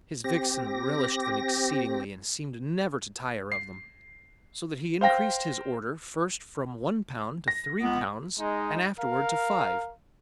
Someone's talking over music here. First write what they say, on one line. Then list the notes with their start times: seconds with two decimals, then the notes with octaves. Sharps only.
His vixen relished them exceedingly and seemed never to tire of them, so that he increased his order first from one pound to three pounds and afterwards to five.
0.24 C4 G4 A#6
3.52 C7
5.01 C5 F5 G5 A#6
7.48 A#6
7.80 C#2 B3
8.39 G#3 D#4
8.99 A#4 F5